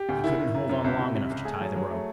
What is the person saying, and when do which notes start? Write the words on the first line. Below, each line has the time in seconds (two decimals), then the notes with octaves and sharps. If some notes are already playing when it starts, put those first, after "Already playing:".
He couldn't hold on long enough to tie the rope....
Already playing: G4
0.09 D2
0.24 D#3 E4
0.38 D#3
0.54 F#2
0.69 F#2
0.84 C#2
0.99 C3
1.15 C3
1.30 C#2
1.45 A3 G#4
1.61 F#3
1.76 F#3
1.90 A3